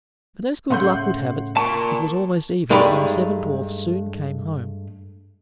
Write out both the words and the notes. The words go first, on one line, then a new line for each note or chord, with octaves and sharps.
But as good luck would have it, it was almost evening, and the seven dwarfs soon came home.
A2 C#3 A3 F#5 C6 G6
A#2 A5 C#6
G2 G#3 A3 D#4 D5 B5